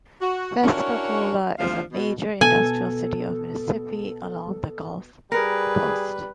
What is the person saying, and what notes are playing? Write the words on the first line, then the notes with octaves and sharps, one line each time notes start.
Pascagoula is a major industrial city of Mississippi, along the Gulf Coast.
F#4
C#4 D4 E4 F#4 A#4 C#5
D2 C3 F3 D4 C5 F5
B2
B2 A4 G#5
G3 G#4 A#4 B4